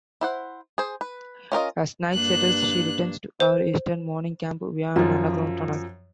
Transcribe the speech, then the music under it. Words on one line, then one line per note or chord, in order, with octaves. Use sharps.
As night settles, she returns to her eastern morning camp via an underground tunnel.
E4 C5 F#5
G#4 C5
B4
C#4 F4 A#4 D#5
G2 A#3 D4 F#6
C5
F#2 F3 F4